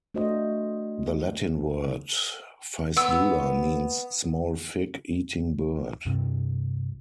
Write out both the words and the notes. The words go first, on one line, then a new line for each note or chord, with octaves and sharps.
The Latin word "ficedula" means "small fig-eating bird".
A3 D4 F#4 C5 D#5
B3 E6
C2 G2 C3